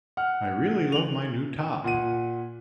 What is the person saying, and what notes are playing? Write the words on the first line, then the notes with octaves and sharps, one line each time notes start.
I really love my new top!
F#5 F6
F7 F#7
A#2 F#5 D#7